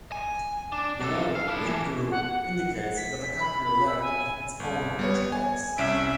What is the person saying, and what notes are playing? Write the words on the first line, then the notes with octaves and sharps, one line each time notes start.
The word "withdrew" indicates that a country left of its own choice.
G#5
D4
F#3 A4
F5
D4 E4
E3
F#5
F#5
B6
B5
E6
G#5
G1
G3 B3 C#5
G#5
C2 C#4 E5 D7